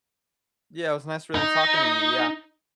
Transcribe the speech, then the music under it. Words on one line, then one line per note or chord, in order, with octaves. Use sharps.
Yeah, it was nice really talking to you, yeah.
D#4